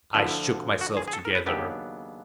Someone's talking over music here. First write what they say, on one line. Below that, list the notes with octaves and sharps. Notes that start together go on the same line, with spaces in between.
I shook myself together.
D2 D3 F3 E4
F#4
G#4
G#4
A4
A#4
B4
D#2 C#3 F#3 B3 D4 G4